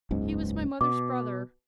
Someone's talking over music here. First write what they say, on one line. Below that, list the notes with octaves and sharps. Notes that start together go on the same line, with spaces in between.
He was my mother's brother.
F#1 C#2 G#2
B2 D6